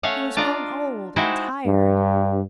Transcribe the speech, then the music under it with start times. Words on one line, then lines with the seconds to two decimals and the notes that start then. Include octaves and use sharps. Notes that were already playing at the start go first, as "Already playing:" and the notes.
He was grown old and tired.
0.03 A3 C#4 C#5 F5 F#5
0.37 D4 F4 D5 D#5 A#5
1.16 G#3 D#4 E4 F#4 C5 G5
1.66 G2